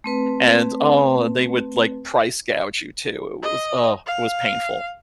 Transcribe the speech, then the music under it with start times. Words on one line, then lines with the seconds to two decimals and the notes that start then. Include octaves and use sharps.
and, oh, and they would price gouge you too. It was oh, it was painful.
0.04 A3 C4 B4
3.42 D#5
4.07 F5